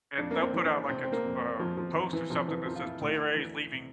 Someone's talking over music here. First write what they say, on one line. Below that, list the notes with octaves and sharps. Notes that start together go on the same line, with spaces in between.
and they'll put out, like, a, tw um, post or something that says "Player A is leaving”
F2 D4
A#3
C4
E3
D4
C3 C4
C4
A#3
F2
F2 F3
F3
E3
E3
C3 F3
E3
F2 F3
F4
E4
D2
E3
C3